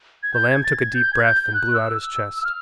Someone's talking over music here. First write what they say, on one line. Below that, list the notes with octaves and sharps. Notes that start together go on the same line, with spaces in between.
The lamb took a deep breath and blew out his chest.
G#6
G6
G#6
A6
G#6
G6
G#6
G6
G6
F#6
E6
E6
E6
F6